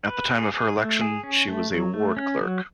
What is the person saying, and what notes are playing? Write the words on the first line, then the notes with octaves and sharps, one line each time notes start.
At the time of her election, she was a ward clerk.
B4
G#4
G#4
A3
G#4
C#4
A3
F#3
A3
C#4
F#3